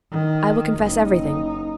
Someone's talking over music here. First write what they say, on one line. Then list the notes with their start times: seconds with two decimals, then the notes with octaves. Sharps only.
I will confess everything.
0.12 D#3
0.74 F#1 D#4